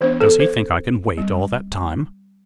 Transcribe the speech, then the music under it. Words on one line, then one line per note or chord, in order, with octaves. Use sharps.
"Does he think I can wait all that time?"
E3 B3 D4 C5
A4
C5
G3 C4